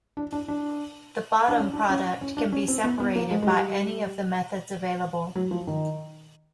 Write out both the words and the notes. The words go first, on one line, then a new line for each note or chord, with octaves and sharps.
The bottom product can be separated by any of the methods available.
D4
D4
D4
D4
C#4
D4
C#4
C#4
D4
C#4
C4
B3
B3
A#3
G#3
G#3
G3
F#3
F3
D#3